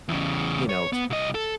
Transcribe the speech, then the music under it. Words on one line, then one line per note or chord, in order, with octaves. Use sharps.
you know, s
E2 C#3
C#5
B3
C2 D#5
A4